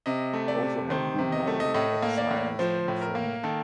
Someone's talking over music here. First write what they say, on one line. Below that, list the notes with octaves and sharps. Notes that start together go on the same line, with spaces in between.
He also had good knowledge of science and astronomy.
C3 D#5
A3
D5
C3
D#3 C5
C3
D#5
A3
D#5
A2 D#5
A#3
D5
A2
F3 C5
A2
A#4
A#3
D#3 A4